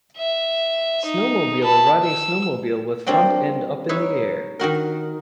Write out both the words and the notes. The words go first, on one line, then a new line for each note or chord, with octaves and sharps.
Snowmobiler riding snowmobile with front end up in the air.
E5
D#4
A5 B5
E6
G3 A#3 C4 D4 F#4
D#4 B4 C#5 E5
D#3 D#4 F#4 A#4